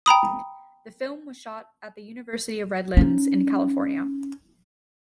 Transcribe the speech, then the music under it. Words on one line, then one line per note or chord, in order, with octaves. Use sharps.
The film was shot at the University of Redlands in California.
G5 A#5 B5 D#6
C#4 D#4